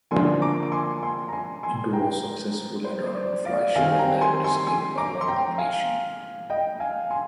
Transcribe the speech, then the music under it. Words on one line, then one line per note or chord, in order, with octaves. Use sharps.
It was successful and earned Fleischer a Directors Guild Award nomination.
D3 F3 A#3 D4 G#5 C6
A#5 D6
D6
G#5 C6
G#5 C6
A#5
G#5 C6
G#5 C6
G5 A#5
C5
C5
D5
D5 F5
D#3 G3 C4 F5 G#5
G#5
G5 A#5
G#5 C6
G#5 C6
G#5 C6
A#5 D6
C6
G5 A#5
F5 G#5
D#5 G5
F5 G#5
G#5 C6